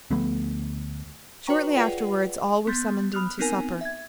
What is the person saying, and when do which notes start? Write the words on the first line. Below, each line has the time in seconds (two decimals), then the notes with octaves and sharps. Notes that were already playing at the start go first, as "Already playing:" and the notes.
Shortly afterwards all were summoned in to supper.
0.10 D2 F3 A3 B3
1.47 F#4 B4 C#5 G5 A#5 C#6
1.76 F4 G#4 B4 D5 F#5 G5
2.67 B3 C6 G6 A6
3.13 B5 D#6 F6 F#6 F7
3.39 B3 C4 D#4 A#4 G#5
3.81 E5 G#6